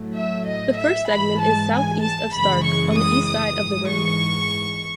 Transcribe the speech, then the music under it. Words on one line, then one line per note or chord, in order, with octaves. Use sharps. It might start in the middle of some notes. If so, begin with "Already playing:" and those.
The first segment is southeast of Starke on the east side of the road.
Already playing: A2 F#3 A3
E5
D#5
E5
G#2 E3 G#3 B5
A5
G#5
A5
F#2 C#3 E3 G#3 B5
C#6
D#6
D#6
G#2 E3 G#3
C#6